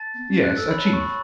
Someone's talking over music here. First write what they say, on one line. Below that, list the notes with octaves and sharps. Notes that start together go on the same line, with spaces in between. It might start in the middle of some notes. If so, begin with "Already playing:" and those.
"Yes, a chief."
Already playing: A5 A6
B3
C#4
C#4 F#6
A4 E6
C#5 B5
C#5 A5
C#6
B5